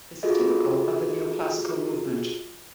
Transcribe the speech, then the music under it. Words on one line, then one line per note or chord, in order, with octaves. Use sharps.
This is typical of the Neo-classical movement.
F4 F#4 G#4 A4 D#5